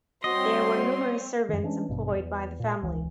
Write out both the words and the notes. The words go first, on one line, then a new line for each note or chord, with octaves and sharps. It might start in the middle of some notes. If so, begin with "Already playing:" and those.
There were numerous servants employed by the family.
G3 C4 F#4 C#5 D#5 C6
F#2 D#3
E3 G#3 C#4 D4
G#1 G2 B2
E2
A#2
E1 C#2 E3